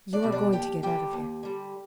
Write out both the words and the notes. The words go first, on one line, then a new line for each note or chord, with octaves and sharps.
"You are going to get out of here."
D4 D5
B2 G3
D4 D5
D#2 G4 G5
D3 G3 G4 G5
D#2
D3 G3